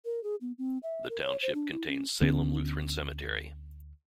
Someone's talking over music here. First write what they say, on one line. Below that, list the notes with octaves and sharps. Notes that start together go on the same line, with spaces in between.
The township contains Salem Lutheran Cemetery.
A#4
G#4
B3
C4
E5
A#4
C#5
C5
D4
E4
C#4
D2 D3 B3 C#4